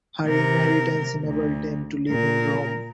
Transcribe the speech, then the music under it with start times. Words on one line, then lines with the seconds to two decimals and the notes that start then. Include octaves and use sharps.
Her inheritance enabled them to live in Rome.
0.25 C3 A#4
1.25 D2
2.09 A#2 A#4